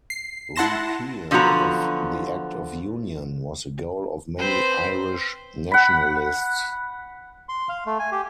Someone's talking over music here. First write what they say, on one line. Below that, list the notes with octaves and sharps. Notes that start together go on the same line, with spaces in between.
Repeal of the Act of Union was a goal of many Irish nationalists.
C7
E4 F#5 A5 C6 A#6 E7
D3 F3 F#3 B3 F#4 A#5
C4 B4 C5
F#5 B5
C6
F5
A3
G#5
G4